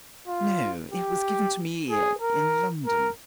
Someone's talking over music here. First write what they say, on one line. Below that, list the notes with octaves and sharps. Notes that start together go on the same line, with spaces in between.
"No, it was given to me in London."
F4
G4
G#4
A#4
A#4